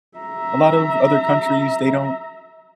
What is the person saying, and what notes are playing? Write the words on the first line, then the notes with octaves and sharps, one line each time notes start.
a lot of other countries, they don't
E5 A#5